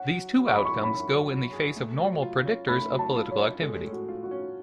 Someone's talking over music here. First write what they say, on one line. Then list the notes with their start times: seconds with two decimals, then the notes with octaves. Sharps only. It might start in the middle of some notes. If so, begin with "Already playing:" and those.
These two outcomes go in the face of normal predictors of political activity.
Already playing: C#4 F#5
0.13 F#3
0.36 F#3
0.46 C#6
0.56 B5
0.60 G#4 C#6
0.83 C#4 B5
1.07 F#3
1.30 F#3
1.52 G#4
1.76 A3
1.99 F#3
2.22 F4
2.45 C#4
2.68 A3 B5
2.92 F#3
2.99 A5
3.16 F4
3.31 C#5
3.38 C#4
3.62 G#3 A4
3.84 A2
3.93 F#4
4.09 F4
4.23 F#4
4.31 C#4